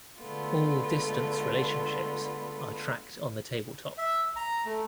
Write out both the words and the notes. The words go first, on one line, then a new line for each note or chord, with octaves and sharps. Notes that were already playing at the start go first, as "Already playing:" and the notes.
All distance relationships are tracked on the tabletop.
D3 G#3 A3 B3 F4
E5
A#5
A3